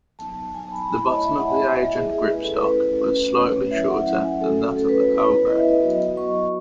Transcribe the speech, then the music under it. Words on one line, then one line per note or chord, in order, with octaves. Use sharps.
The bottom of the Agent gripstock was slightly shorter than that of the Cobra.
F#3 B3 D#4 A5
F#3 B3 D#4 G#5
A5
B5
A3 E4 B5
A5
D#5
C#5
A3 E4 E5
F#5
G#5
B3 E4 E5
D#5
B3 E4 G#4
G#4
A3 C#4 E4 B4
A4
B4
A3 C#4 E4 B4
A3 C#4 F#4
A3 C#4 F#4 C#5
F#3 C#4 E4 E5
F#5
F#3 C#4 E4 F#5
G#5
A3 C#4 F#4 A4
A3 C#4 F#4 A4
B4
C#5
B3 E4 B4
B3 E4 D#5
E5
D#5
F#3 B3 F#4 D#5
F#3 B3 F#4 C#6